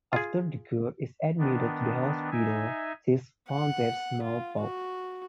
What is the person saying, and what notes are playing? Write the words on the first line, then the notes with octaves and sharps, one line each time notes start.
After the girl is admitted to the hospital, she is found to have smallpox.
F4 G#4
D#3 B3 D4
D#4 E5 G#5
F#5
F4
F#4